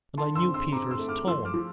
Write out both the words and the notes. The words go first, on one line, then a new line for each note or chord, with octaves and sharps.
And I knew Peter's tone.
D3 A5 C6
C6 E6
C4
C6 E6
C4 A#5 D6
C6 E6
A3
D6 F6
F3 C6 E6
D6 F6
F3